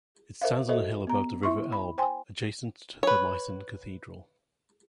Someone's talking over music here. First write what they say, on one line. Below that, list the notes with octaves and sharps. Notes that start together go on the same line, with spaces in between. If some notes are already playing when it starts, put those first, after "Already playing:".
It stands on a hill above the river Elbe, adjacent to the Meissen Cathedral.
A#4 C5 E5 F5
F#4 A4 C5 D#5 E5
B3 A#5
E4 E5 C6 C#6
B5
C5 G5 G#5 C6
B4 C#5